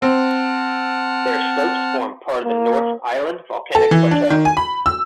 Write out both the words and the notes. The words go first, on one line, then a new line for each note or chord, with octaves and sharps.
Their slopes form part of the North Island Volcanic Plateau.
C4 F#5 A5 F6
A#3
A4
E3
D4
D#3
G#5
B5
E6